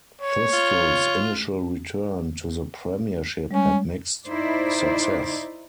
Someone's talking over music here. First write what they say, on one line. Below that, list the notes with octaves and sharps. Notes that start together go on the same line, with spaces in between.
Thistle's initial return to the Premiership had mixed success.
C#5
F4
G3 G#3 C#4
D#4 E4 C5 D5